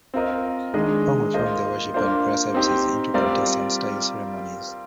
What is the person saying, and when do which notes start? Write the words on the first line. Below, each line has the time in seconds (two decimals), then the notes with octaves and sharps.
Hong reformed the worship and prayer services into Protestant-style ceremonies.
0.14 C4 F4 A#4 D#5
0.74 D#3 G#3 D4 G#4 D#5
1.34 A#3 F4 C5 D#5
1.94 A#3 D4 F4 C5
2.54 C4 D#4 G4 C5
3.14 G3 C4 F4 A#4 D5